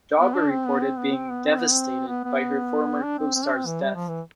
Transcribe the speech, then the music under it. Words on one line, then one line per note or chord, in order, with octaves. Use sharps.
Dawber reported being "devastated" by her former costar's death.
B3
D4
C4
B3
C4
B3
C4
B3
C4
B3
C4
B3
B3
D4
C4
C4
D4
C4
E3
G3
F3
E3